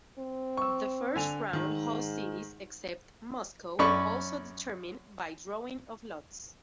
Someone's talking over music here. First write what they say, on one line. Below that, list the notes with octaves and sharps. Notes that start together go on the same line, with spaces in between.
The first round host cities except Moscow also determined by drawing of lots.
C4
C#6 E6
D3 G#5 F7
G#2 D#3
F#2 C#4 D5 B5 C#6